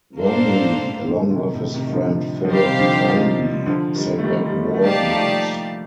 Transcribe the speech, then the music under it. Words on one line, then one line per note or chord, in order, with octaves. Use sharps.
Romilly, along with his friend Philip Toynbee, sent back war news.
G2 A#3 D4 A4 C5 F5
A#2
A2
A2
A#2 D3
D3
C3 D#3
A2 C3
C3 D#3
D#3
D3 F3
F3
D#3 G3 G4 C5 F5
C3 D#3
D3 F3
D#3
F3
C3 D#3
D3 F3
D#3 G3
A3
D#3 G3
G3
F3 A3
A3
G3 A#3 D#4 G4 D5 F5 A5
G3
F3 A3